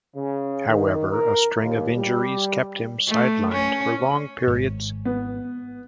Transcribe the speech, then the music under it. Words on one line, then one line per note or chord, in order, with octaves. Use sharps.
However, a string of injuries kept him sidelined for long periods.
C#3
D#3
A#4
D#2
G3
A3
C#4
G#1
B3